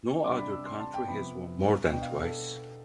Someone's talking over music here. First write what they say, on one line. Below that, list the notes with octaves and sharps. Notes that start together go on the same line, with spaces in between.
No other country has won more than twice.
C3 G3 D4 D6
B5
E6
C6
A5
G5
C3 F3 B3 B5
B2 B3 D4 G5
F5
A4
A4